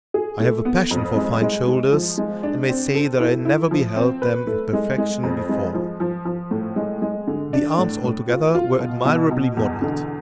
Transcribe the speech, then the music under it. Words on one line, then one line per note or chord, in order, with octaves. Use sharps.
I have a passion for fine shoulders, and may say that I never beheld them in perfection before. The arms altogether were admirably modelled.
G#4
A3
B3
F2
G#3
G#3
G#3
F3
G#3
D4
C4
A4
E4
E4
F3
C4
B4
A3
G#3
G#3
F2
G#3
F3
F3
F3
A2
G#3
G#3
D3
D4
A2
A2
F4
F4
B2
B2
B2
E2
D3